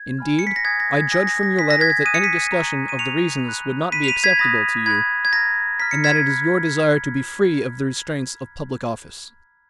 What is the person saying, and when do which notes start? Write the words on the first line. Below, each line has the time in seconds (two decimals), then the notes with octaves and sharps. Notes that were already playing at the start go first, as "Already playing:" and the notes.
Indeed, I judge from your letter that any discussion of the reasons would not be acceptable to you and that it is your desire to be free of the restraints of public office.
Already playing: G#6
0.19 G#5 B5 F6
0.39 C#7
0.47 B6
0.56 A#6
0.65 G#5 D#6 F#6 G#6
0.80 A#6
0.96 G#6
1.11 G#5 D#6 F#6 A#6
1.27 A#6
1.43 A#6
1.58 G#5 D#6 F#6 B6
1.70 A#6
1.81 G#6 B6
2.05 G#5 D#6 F#6 D#7
2.15 C#7
2.24 B6 D#7
2.52 A#5 C#6 F#6
2.89 D#7
2.99 A#5 C#6 F#6 C#7 F7
3.46 B5 F#6
3.92 B5 F#6 B6 D#7
4.04 F7
4.08 B6 D#7
4.24 G#6 B6
4.39 B5 D#6 F#6 A#6
4.86 B5 D#6 F#6 G#6
5.25 G#6
5.33 A#5 F6 A#6
5.79 A#5 F6 B6
5.91 C#7
6.04 G#6 B6
6.27 B5 F#6